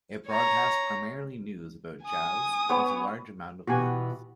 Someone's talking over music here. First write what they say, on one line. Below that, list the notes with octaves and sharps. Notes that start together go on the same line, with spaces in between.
It broadcasts primarily news and jazz, plus a large amount of blues.
C#5 A#5
G#5 D#6
B3 C#5
B2 E3 F#4 G4 G#5